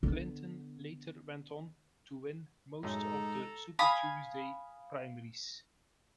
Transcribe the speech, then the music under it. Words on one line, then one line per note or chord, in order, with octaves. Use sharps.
Clinton later went on to win most of the Super Tuesday primaries.
D3 B3
F#2 A2 G#3 A3 D#4 A4 A#5
F5 G#5 B5 D#6